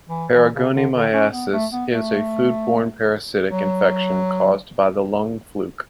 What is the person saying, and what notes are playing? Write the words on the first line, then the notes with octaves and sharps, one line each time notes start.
Paragonimiasis is a food-borne parasitic infection caused by the lung fluke.
E3
E3
C#3
D3
D3
C#4
B3
A3
B3
A3
F#3